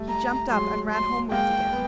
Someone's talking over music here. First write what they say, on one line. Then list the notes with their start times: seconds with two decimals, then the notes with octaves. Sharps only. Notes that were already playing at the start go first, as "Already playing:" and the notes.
He jumped up and ran homewards again.
Already playing: G3 A3
0.09 A#5
0.50 F#3 G#3 C6
0.91 C6
1.31 G#3 A#3 G5
1.72 B3